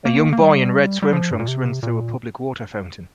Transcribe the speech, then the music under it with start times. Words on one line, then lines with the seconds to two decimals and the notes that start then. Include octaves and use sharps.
A young boy in red swim trunks runs through a public water fountain.
0.05 A#3
0.33 A#3
0.41 G3
1.02 G3
1.13 F3
1.31 G2
1.39 A#2
1.48 C3
1.83 A#2